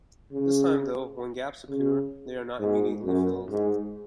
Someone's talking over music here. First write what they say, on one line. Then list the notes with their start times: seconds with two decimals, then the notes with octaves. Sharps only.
This time though, when gaps occur, they are not immediately filled.
0.32 C#3
1.68 C#3
2.60 G#2
3.05 F#2
3.50 G#2